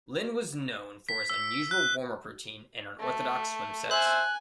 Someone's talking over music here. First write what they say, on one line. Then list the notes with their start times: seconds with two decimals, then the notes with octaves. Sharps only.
Linn was known for his unusual warm-up routine and unorthodox swim sets.
1.09 B6
1.30 E6
1.71 F#6
3.00 A3
3.91 C5 E5 G#5 F#6